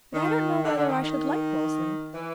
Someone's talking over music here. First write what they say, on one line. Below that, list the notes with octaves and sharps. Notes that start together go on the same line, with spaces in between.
But I don't know whether I should like Wellesley.
D#3
D3
D3
D#3
D#3
E3